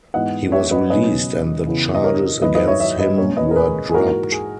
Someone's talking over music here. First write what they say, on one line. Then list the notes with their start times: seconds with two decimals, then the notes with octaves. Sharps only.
He was released, and the charges against him were dropped.
0.14 G#2 E3 B3 D#5 F#5
0.52 C#5 E5
0.71 B4 D#5
0.90 B2 F#3 C#4 B4 D#5
1.66 E2 C#3 E3 B3
1.95 D#5
2.04 A#4 C#5
2.42 G#2 D#3 F#3 B4 D#5
2.54 B4 D#5
2.68 C#5 E5
2.80 C#5 E5
2.99 B4 D#5
3.18 A#2 A#3 C#4 A#4 C#5
3.37 B4 D#5
3.51 A#4
3.56 G#4 B4
3.89 G#4
3.94 G#2 E3 A#3 F#4 A#4
4.32 G#4